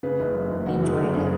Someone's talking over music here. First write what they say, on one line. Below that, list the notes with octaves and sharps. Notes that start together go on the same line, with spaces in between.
I enjoyed it.
C#3 B4
F#1
F#2
F#1
F#1 F#4
F#1 G#4
F#2
C#3 G#4